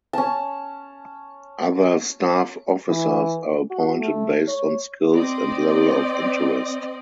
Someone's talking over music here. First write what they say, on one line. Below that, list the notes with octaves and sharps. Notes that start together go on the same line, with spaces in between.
Other staff officers are appointed based on skills and level of interest.
C#4 A5
E3
F#4
A3
C#5
C4 D5 D#5